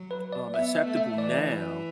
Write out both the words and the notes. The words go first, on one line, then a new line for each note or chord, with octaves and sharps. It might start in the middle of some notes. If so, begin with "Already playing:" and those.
um, acceptable now
Already playing: F#3
B4
D5
B3 E5
E5
A3
E5
E3 D5